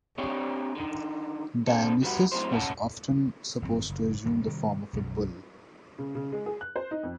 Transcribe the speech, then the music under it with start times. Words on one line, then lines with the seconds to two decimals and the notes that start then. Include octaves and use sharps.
Dionysus was often supposed to assume the form of a bull.
0.18 C4 D4 G4 G#4 C#5
0.75 D3 D#3
1.67 D3 C4 A4
2.02 G3 F#4 G4 B4 F#5
2.32 A2 C3 F#3 C5
2.52 C#4 C#5 E5 F#5 G#5 A5
3.62 G#1 F#2 C4
3.89 F#1
4.25 D#1 G2 D#3
4.46 C3 D#3 G3
4.93 B1 F#2 B2
5.99 C#3
6.15 C#3
6.32 G#3
6.46 G#4
6.61 F#6
6.76 C5
6.91 D#4
7.03 F2